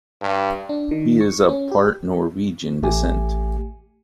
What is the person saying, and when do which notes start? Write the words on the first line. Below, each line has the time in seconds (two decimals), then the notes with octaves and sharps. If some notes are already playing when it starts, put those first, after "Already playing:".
He is of part Norwegian descent.
0.22 G2
0.69 D4
0.91 D#3
1.21 C#6
1.49 C#4
1.72 G4
2.82 A1 A3 G4 G#5